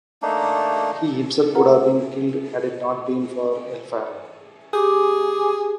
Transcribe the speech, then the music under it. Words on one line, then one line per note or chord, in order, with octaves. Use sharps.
He himself would have been killed had it not been for Elfhelm.
A3 A#3 D4 D#4
F4 A#4 B4 F#5 A#5
G4 G#4 D6